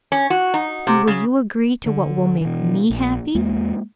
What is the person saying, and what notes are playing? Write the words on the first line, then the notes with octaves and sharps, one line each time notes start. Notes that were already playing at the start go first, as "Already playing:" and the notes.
"And will you agree to what will make me happy?"
C#4
F#4
D#4
C3
C#3
D3
B2 E3
A#1
E2 G#3 A#3